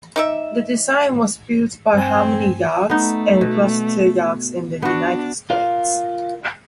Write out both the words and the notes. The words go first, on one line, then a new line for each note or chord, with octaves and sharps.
The design was built by Harmony Yachts and Gloucester Yachts in the United States.
D#4 D5 E5
G2 C4 G#5
A3 B3 D#4
B2
B3 D4 F#4
F4 A#4 F5